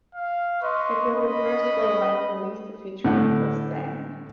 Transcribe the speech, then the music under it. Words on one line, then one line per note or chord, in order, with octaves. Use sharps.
It was the first full-length release to feature Mikael Stanne.
F5
B4 D#5 C6 C#6
C#4 B4 D#5 B5
A2 D3 E4 F#5